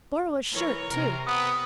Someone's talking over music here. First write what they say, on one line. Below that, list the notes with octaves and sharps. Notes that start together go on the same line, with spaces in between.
"Borrow a shirt, too."
E3 A#4 C#5
C3 A#4
B3 D#6